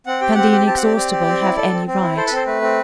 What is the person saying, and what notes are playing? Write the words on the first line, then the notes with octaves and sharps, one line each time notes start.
Can the inexhaustible have any right?
C4 F#5
G4 G5
C4 F#5
G4
C4 A5
F#5
G4 D5
C4 D5
G4
C4
E4
A4
C4
C4
E4
A4 C5
B4
C4 C5
A3 B4
C4